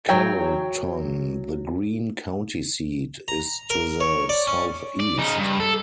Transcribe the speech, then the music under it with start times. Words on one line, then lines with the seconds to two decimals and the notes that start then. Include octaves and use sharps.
Carrollton, the Greene County seat, is to the southeast.
0.09 F#3 G5
3.28 A#5
3.70 A#4
4.01 C#5
4.29 D5
4.47 C#4
5.00 D5
5.18 C#3 D#4
5.37 G2
5.60 A4